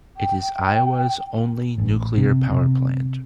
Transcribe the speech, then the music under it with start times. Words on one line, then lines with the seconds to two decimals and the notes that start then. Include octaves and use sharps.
It is Iowa's only nuclear power plant.
0.17 G5
1.78 A1
2.17 C3
2.50 C3